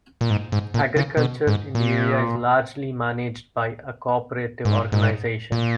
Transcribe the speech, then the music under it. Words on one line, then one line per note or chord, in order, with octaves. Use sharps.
Agriculture in the area is largely managed by a cooperative organization.
A#2
G#2
G#2
A#2
C#3
B2
G#2
A#2
G#2
G#2
A#2